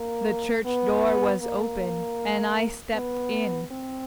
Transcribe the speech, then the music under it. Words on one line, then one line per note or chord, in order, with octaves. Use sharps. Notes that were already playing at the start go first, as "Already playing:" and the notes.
The church-door was open and I stepped in.
Already playing: A#3
B3
A#3
B3
C4